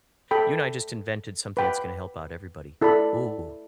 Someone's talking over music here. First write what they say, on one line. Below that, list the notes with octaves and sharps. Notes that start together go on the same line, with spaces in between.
you and I just invented something that's gonna help out everybody. Ooh!
A4 G5 B5
B4 G5 B5
E4 A4 D5 B5